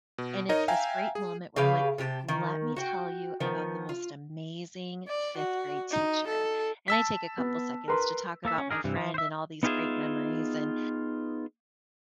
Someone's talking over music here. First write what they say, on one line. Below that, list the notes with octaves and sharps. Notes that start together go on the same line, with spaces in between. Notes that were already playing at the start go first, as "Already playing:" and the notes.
And it's this great moment where I'm like, "Let me tell you about the most amazing fifth-grade teacher," and I take a couple seconds to talk about my friend and all these great memories and
B2
D#4 A#4 C#5 D#5
E5 F5 G5 G#5 A#5
G#4
C#3 G4 B4 F5
C3 G4 A#4 A5
D#3
F#4 G5
D#3 F3 B3
F4
D5
F#4
D#4
A4
A5 E6 B6
B3
A#4 B4 C6
A#3 A4 E5
C#4
D4 D#4 F4 G#4 A#4
G2 C3 E3
F3
C5 E5
B3 D#4 F4 G4 G#4 E5